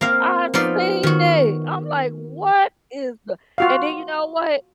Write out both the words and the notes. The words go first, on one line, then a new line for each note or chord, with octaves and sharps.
I've seen it, I'm like, "What is the" and then you know what?
A#3 C4 F5
F3 B3 D#4 D5 F5
D#3 F#4
F4 F#4 F5